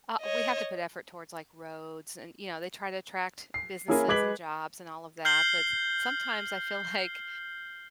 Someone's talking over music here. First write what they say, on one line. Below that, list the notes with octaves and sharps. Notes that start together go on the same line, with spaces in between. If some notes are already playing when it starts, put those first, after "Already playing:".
Uh, we have to put effort towards like roads and, you know, they try to attract businesses and jobs and all of that. But sometimes I feel like
C#5 D#5
C7
A#3 C#4 E4 G#4 A#4 G#5
G#3 B4 D6 G#6 B6 F#7
F6 G6 C7 F#7 G7